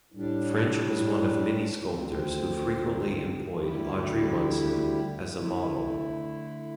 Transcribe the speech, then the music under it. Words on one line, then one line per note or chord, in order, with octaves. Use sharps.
French was one of many sculptors who frequently employed Audrey Munson as a model.
A2 G3 D4
D2 D3 C4
D2 D3 G3 E4 G4
D3 A3 E4